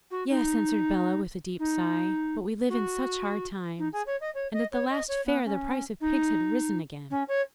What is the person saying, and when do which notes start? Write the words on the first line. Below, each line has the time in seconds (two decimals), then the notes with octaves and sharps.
'Yes,' answered Bellah, with a deep sigh; 'but we live in such hard times, and at the last fair the price of pigs had risen again.'
0.11 F#4
0.29 D#4
1.59 D#4
2.69 F#4
3.79 D#4
3.92 G#4
4.06 C#5
4.20 D#5
4.34 C#5
4.53 D#5
4.72 C#5
4.90 D#5
5.08 C#5
5.26 B3
5.45 C#4
6.00 D#4
7.10 C#4
7.28 C#5